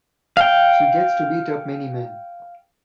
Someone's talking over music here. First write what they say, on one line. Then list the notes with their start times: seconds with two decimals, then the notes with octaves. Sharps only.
She gets to beat up many men.
0.37 F5 G5